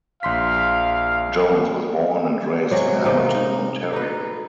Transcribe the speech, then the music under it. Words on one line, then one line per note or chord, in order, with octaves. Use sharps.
Jones was born and raised in Hamilton, Ontario.
A#1 F5 C6 B6
C3 F#3 G#3
C3 D#4 F5
D#4
D#4 B4